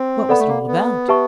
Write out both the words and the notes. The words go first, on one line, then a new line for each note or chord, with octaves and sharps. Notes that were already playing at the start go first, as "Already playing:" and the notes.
"What was it all about."
Already playing: C4
B3 A4 D5 F#5 B5
A3
A#3
B3
G4 B4 E5 A5 C#6